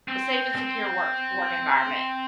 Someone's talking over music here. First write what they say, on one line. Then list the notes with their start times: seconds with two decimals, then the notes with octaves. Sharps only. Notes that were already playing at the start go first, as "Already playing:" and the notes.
a safe and secure work f work environment,
0.08 C4
0.55 C4